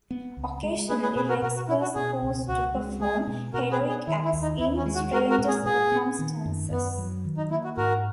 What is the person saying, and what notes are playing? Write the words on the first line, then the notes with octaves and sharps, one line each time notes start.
Occasionally Rex was forced to perform heroic acts in stranger circumstances.
B3
C#2
G#3
A#3 G#4 B4
G#4 B4
B2 G#4 B4
F#4 A#4
B2 F#4 A#4
F#4
C#4 E4
F#4
B2 G#4
C#2
C#2 F#4
G#3
G#3 G#4
B2
B2 F#4 A#4
G#4 B4
B3
G#4
D#3 E4
E4
D#2
D#4
D#2 E4
C#4
G#3
F#4
G#3 F#4 A#4
F#4 A#4
A#2
G#4
A#2 G#4
B3
D#3
F#2
F#2 B3
F#3
D#3
D#4
A#3 E4
F#4
G#2 F#4 A#4